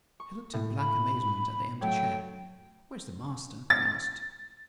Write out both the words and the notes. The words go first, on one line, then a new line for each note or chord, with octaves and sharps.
He looked in blank amazement at the empty chair. "Where's the master?" he asked.
C#6
A2
B5
F#3 A3 C#5 G5
A6